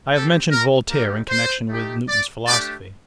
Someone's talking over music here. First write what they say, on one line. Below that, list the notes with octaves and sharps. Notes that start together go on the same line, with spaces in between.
I have mentioned Voltaire in connection with Newton's philosophy.
C4 G4 A4
A#4
G3 A#3 D#4 G4 A#4
C5
A3 D#4 G4
D5
A3 D4 G4 D5